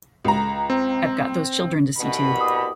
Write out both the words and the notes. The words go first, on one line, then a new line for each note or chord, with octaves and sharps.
I’ve got those children to see to.
C#2 A#5
C4
C2 B2 B5
D6 D#6